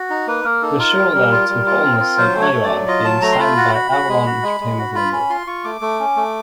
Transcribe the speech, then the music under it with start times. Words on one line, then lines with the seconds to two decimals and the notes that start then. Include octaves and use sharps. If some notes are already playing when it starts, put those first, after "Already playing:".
The show led to Holness and Ayoade being signed by Avalon Entertainment Limited.
Already playing: F#4
0.10 D#4
0.27 A#3 B4
0.44 A#3 A#4
0.62 D#4 A4
0.79 F4 A#4
0.97 G3
1.14 G3
1.31 F4
1.49 G3
1.66 F4
1.83 C4
2.00 F4
2.18 F#3 C5
2.35 A3
2.41 C#5
2.53 A3
2.64 D5
2.70 F#3
2.88 F4 D#5
3.05 F#3 A5
3.22 A3 A#5
3.32 C6
3.39 F4 B5
3.57 F#4
3.74 F#4
3.91 F#4
4.09 G#3
4.26 F#4
4.43 G#3
4.61 G#3
4.78 F#4
4.95 F4 B5
5.13 C#4 B5
5.30 F4 C6
5.47 F4 C#6
5.64 A3 D6
5.81 A3
5.99 C#4
6.16 A3